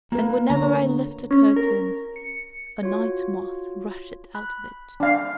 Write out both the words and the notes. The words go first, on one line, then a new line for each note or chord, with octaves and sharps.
And whenever I lift a curtain, a night-moth rusheth out of it.
A#3 F4 B4
D3 A#3 C#5 A#5
C#4
A#4
C#7
F4 F#4 C#5
B5 F#6
D4 F5